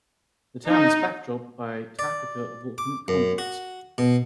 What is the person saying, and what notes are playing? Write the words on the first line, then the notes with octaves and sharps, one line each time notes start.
The town is backdropped by Taapaca volcanic complex.
D#4
D5
D6
F#2
F#4
B2